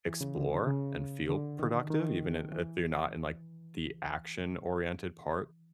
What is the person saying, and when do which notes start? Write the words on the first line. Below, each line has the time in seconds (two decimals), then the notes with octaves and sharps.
explore and feel productive even i if you're not in, like, the action-oriented part
0.06 E3
0.21 C#3
0.36 D3
0.67 C#3
1.29 D3
1.60 D#3
1.90 D#3
2.52 E3